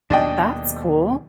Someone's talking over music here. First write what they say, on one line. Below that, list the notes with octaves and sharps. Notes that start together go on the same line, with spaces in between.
That's cool.
D#2 B2 F#3 D4 D#5 G5